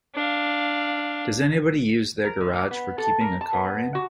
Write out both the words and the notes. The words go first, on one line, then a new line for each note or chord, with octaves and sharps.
Does anybody use their garage for keeping a car in?
D4 F5
A#4
D3
A#3
B3
A4
A#4
A5
B3
F#4